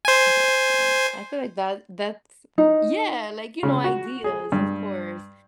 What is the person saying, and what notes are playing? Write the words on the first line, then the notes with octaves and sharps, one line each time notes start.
Yes. So, I feel like that that's Y yeah! Like, you know, ideas, of course.
C5 G#5
D#4
C#3
F#4
G#4
G2